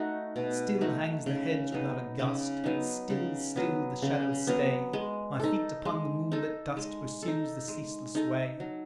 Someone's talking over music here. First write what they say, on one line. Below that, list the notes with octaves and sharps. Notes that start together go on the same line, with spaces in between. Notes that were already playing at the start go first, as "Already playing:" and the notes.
Still hangs the hedge without a gust, Still, still the shadows stay: My feet upon the moonlit dust Pursue the ceaseless way.
Already playing: A3 D#4 F#4
B2
A3 D#4 F#4
C#3
F#3 B3 D#4
C#3
F#3 B3 D#4
C#3
F#3 B3
C#3
F#3 B3
G#3
D#4 A4
G#3
D#4 A4
G#3
A4
D#4
G#3
D#4 A4
F#3